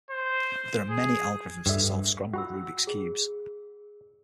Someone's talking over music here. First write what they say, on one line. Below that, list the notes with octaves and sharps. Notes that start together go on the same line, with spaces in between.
There are many algorithms to solve scrambled Rubik's Cubes.
C5
G#4
G2 A4 E5 G5
F#4 G5 B5 E6
G#4